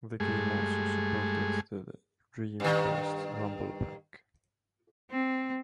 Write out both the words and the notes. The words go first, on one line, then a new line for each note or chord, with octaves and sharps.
The game also supported the Dreamcast rumble pack.
G2 G#3 A3 G#4
G2 D#3
C4